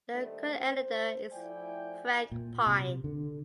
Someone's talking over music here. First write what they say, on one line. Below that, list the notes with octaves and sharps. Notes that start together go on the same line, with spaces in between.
The current editor is Frank Pine.
D#3 G3 A3 A#3 D4 C5
C5
F3 A3 E4 D5 G5 G#5
A#2
C3
D3